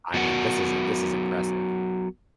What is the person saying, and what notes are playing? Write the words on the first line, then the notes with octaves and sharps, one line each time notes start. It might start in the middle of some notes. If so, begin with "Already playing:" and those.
I mean, this is i this is impressive.
F#3 B3 F#4 A#4 F#5